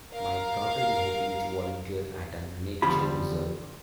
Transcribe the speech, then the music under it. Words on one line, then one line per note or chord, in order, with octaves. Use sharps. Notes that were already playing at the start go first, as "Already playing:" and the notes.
My daughter is hoping to volunteer at a nature reserve.
A#4 F5
E2 G2 D3 F3 G3 B5